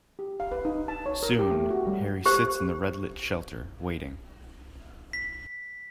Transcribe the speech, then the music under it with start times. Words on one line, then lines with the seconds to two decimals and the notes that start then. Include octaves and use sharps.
Soon, Harry sits in the red lit shelter, waiting.
0.19 G4
0.40 F5
0.52 B4
0.65 D#4
0.88 A5
1.06 C#5
1.23 A#4
1.39 G4
1.51 A3
1.71 F#4
1.87 G3
2.26 G4 C5
5.13 B6